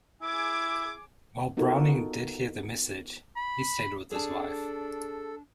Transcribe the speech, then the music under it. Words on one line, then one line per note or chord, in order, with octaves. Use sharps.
While Browning did hear the message, he stayed with his wife.
E4 G#4 D6 G#6
B3 D#4 F4 F#4 A4 A#4
B5
D4 G#4 A4 A5